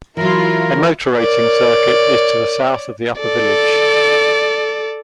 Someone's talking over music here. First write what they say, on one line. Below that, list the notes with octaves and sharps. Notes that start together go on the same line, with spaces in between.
A motor racing circuit is to the south of the upper village.
E3 F#3 E4 F4 A#4
A#4 C#5 D5
A4 D5